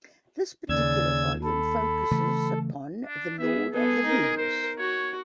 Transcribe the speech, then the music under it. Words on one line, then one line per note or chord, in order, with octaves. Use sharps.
This particular volume focuses upon "The Lord of the Rings".
D#2 C#3 D5 E6 G#6
A4 B5
C#3 E3 A3
D4
B3 G#4 E5
B3 G#4 A4
D#4 A#4
A#4 C5
F#4 C#5